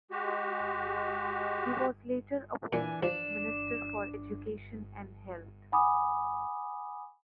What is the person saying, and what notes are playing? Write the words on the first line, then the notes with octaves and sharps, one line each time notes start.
He was later appointed Minister for Education and Health.
G#3 F#4 G4
A#2 E3 D4 G#5
F3 D4 D5 E7
F#5 G#5 B5 D6 D#6